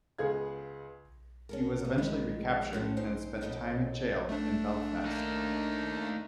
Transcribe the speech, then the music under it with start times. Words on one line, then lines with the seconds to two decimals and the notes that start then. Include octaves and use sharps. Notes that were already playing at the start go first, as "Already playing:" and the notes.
He was eventually recaptured and spent time in jail in Belfast.
0.18 C#2 B3 G#4 F5 G#6
1.49 C#4 A4 A#4
1.85 D#2
1.98 D#3 F3 G#3 B3 D#4
2.73 A2 C#4 F4
2.97 C#4 D#4 C5 G5
3.41 D#2 B2 E3 A4 D#5 G5
4.29 A3 D4
5.06 A#3 D#4